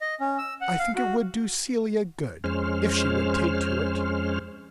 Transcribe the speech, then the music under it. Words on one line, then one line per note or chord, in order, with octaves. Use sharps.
"I think it would do Celia good--if she would take to it."
D#5
C#4
E6
F#5
F5
F#4
F2 G#3 C#4 C5 F6